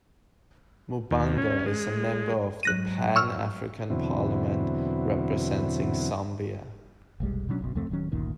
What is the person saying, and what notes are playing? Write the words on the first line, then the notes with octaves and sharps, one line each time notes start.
Mubanga is a member of the Pan-African Parliament representing Zambia.
D#2
C#4
G#3
G#2 F#3 F#6 A#6 D#7
C#6 E6 F6
E2 B2 D3 F#3 C4 E4
F1 B1 G3 G#3
B2 F#3 C#4 D4
F#1 B1 B2
C2 F2 A3 C4
D1 D#3 F#3 C#4
G1 D2 A#2 D#3